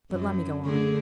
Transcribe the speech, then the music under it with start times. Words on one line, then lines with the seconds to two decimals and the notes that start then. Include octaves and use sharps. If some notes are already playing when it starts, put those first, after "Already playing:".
But let me go on.
0.12 F#2
0.64 D3 A3 G#4